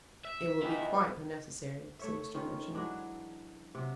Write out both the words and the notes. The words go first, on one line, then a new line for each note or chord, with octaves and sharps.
"It will be quite unnecessary," said Mr. Merton.
E5
E2 D#3 E3 F4 B4 D#5
A3 C#5 E5
D#3 C#4 F4
E3 F#3 G#3 D4
C3 F#3